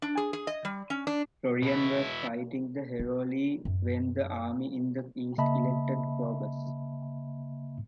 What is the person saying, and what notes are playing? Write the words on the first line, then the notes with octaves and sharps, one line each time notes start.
Florian was fighting the Heruli when the army in the East elected Probus.
D4
G#4
G#4
D#5
G3
C#4
D4
B2 E4
B3
F#2
C#3 A#3 D#5 E5 A5 B5